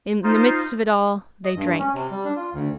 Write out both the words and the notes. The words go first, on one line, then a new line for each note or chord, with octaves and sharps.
In the midst of it all, they drank.
D#4 F4 C5
D#5
G2
C#4
C3
G3
D4
F4
D2